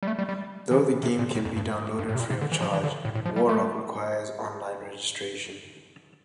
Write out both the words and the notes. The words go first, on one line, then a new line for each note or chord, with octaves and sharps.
Though the game can be downloaded free of charge, War Rock requires online registration.
G3
A3
G3
G3
E3
C3
A#2
A2
F2
G2
G2
A2
C3
A#2
C3
D3
E3
F3
E3
D3
A2
A2
F3
G3
A3
G3